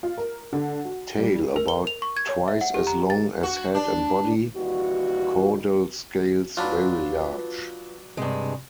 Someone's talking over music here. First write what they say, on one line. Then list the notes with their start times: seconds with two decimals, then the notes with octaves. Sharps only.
Tail about twice as long as head and body; caudal scales very large.
0.03 F4
0.18 A#4
0.53 D3
0.85 F#4
1.18 G3
1.56 A#4
1.68 G7
1.87 F7
2.02 C#6
2.17 G#6
2.29 C#5
2.48 E5
2.61 F#5
2.74 G4
2.87 A#5
3.10 A6
3.43 F#4
3.75 D4
4.56 D#2 E3 G3 F#4
6.57 F#3 D4 F4 B4
8.17 G2 C3 G#3